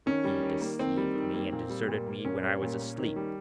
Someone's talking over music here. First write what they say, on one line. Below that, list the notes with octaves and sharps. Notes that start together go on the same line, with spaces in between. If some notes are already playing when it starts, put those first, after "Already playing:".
She deceived me, and deserted me when I was asleep.'
D#3 C#4
G3
D#3
A#3
D#3 C4
G3
D#3
A#3
A#2
G3
A#2
A#3
A#2 C#4
G3
A#2
A#3
D#3
G3